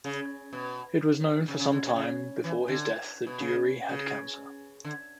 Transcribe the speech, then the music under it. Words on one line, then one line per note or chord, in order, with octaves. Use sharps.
It was known for some time before his death that Dury had cancer.
C#3
B2
C#3
C#3
D3
C#3
C#3
E3
D3
B2
C#3
C#3
D3